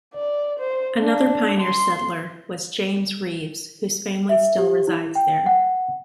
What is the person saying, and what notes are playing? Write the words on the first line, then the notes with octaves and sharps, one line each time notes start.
Another pioneer settler was James Reaves, whose family still resides there.
D5
C5
D4
C6
E5
G4
E4
G5
F#5